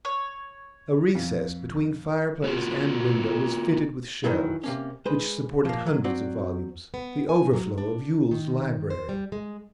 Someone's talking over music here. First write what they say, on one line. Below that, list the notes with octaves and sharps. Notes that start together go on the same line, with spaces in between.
A recess between fireplace and window was fitted with shelves, which supported hundreds of volumes, the overflow of Yule's library.
C#5
F2
B3 F4 F#4
D#3 E3 F#3 E4
C3 A#3 C#4
G#3 B4 C5
F3 A#3
F#3
F#3 C4 F#4 D5
B3
G#5
F#3
D4
D#3
C5
G3
G#3